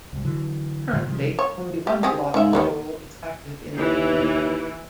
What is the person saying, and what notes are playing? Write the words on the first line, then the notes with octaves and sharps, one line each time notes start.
Currently only one block of coal is active in the region.
C2 G2
D3 E3 F#3
A2 D3 F3
C3 D#3 F3 G3
C#5
G4
C4 G4 G#4
G#2 C#3 E5
D#2 D#3 A#3 B4
D#2 E3